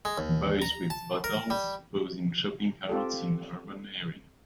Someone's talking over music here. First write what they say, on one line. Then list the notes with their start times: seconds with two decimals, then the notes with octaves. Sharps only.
Boys with bottles pose in shopping carts in urban area.
0.05 G#3
0.18 D#2
0.62 A#5
0.90 A5
1.24 A#4
1.50 G3
2.89 C4 F4 G4 A4